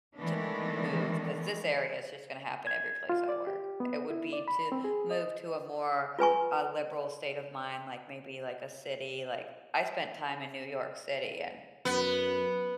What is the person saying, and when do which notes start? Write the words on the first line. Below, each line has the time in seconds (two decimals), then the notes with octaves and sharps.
to move 'cause this area it's just gonna happen every place I work. It would be to move to a more, uh, liberal state of mind, like, maybe like a city, like I spent time in New York City and,
0.17 D#3 E3 G#3 A3 B3 D4
2.67 G#6
3.09 F4
3.29 D5
3.47 G4
3.80 B3
4.10 E4
4.33 D5
4.48 B5
4.72 C4
4.84 G#4
5.11 D#5
6.19 F4 B4 G#5 C#6
11.85 F#2 B3